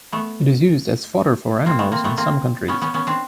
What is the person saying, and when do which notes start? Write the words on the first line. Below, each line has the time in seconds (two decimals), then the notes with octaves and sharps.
It is used as fodder for animals in some countries.
0.12 A3 B3
1.66 A#3 C4
1.79 A3 B3
1.92 A#3 C4
2.04 A3 B3
2.18 A#3 C4
2.68 B3 C#4
2.81 B3 C#4
2.94 B3 C#4
3.07 C4 D4